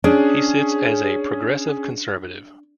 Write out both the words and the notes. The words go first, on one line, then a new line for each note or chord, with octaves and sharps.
He sits as a Progressive Conservative.
C#4 D4 G#4